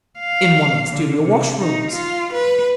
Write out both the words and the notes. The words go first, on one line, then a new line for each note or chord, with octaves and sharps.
"In one of the studio washrooms."
F5
D3
C3
D#4
F4
B4